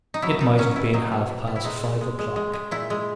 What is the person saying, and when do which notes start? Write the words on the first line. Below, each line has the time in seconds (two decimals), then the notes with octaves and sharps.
It might have been half-past five o'clock.
0.14 D#4
0.22 F#3 E4
0.41 B2 D#4
0.58 F#3 C#4
0.76 B2 E4
0.94 F#3 D#4
1.12 B2
1.29 B2
1.47 B2
1.56 E4
1.64 G#3 D#4
1.84 A#2
2.01 G#3
2.19 G#3
2.36 G#3
2.53 G#3
2.71 A#2 E4
2.90 G#3